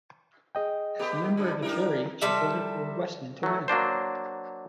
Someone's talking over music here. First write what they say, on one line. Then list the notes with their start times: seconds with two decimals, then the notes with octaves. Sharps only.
As a member of the jury, she voted for Westman to win.
0.55 G#4 D#5 G5
0.99 A3 B3 G4
1.37 G#2 C3 D4
1.62 D4 E4 G4 A#4
2.21 C3 G3 A4 E5
3.43 F#3 A3
3.68 F#3 A#3 D4 C5